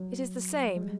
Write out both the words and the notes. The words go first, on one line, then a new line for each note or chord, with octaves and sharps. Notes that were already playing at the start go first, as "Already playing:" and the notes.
"It is the same."
Already playing: F#3
G#3
G3